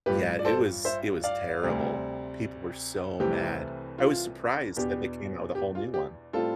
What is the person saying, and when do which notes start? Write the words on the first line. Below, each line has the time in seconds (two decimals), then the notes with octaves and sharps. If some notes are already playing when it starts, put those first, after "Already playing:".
yeah, it was it was terrible. People were so mad. I was surprised that they came out with a whole new one.
0.06 A1 G2 F3 G4 B4
0.39 D5
0.45 A4 C5
0.85 C5 E5
1.24 D5 F5
1.63 D2 C3 G3 C4
3.20 C2 C3 E3 A3 C4 G4
3.98 F4
4.77 E2 B2 B3 D4 G4
5.55 G4
5.75 F4
5.94 G4
6.33 A2 G3 C4 F4 A4